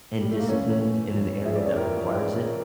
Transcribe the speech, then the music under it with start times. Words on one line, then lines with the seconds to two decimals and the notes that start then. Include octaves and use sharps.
and disciplined in an area that requires it.
0.21 G3
0.31 A3
0.40 A#3
0.49 E3 A3 C#4
0.81 E3
1.13 F2
1.45 F2 E5
1.55 D5
1.66 C#5
1.77 E3 G4 A#4
2.09 E3